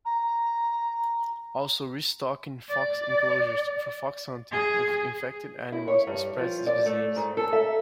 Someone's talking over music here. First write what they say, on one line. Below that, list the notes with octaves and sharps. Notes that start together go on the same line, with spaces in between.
Also, restocking fox enclosures for fox hunting with infected animals spreads the disease.
A#5
D5
G#4
E4
C#5
G2
F3
D5
A3
G#2
A4
E5